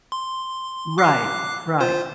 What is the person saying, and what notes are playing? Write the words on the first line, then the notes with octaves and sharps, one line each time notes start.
Right. Right.
C6
D6 F#6 C7
F4 C5